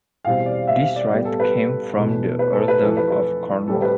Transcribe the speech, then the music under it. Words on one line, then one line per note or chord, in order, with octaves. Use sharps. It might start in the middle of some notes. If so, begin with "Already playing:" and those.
This right came from the Earldom of Cornwall.
E2 B2 G3 C4 F5
D5
E5
F5
D5
A2 G3 B3
A4
B4
E2 B2 A3
B4
A4
B4
F2 E3 A3 A4
B4
B4
A2 G3 C4 A4
B4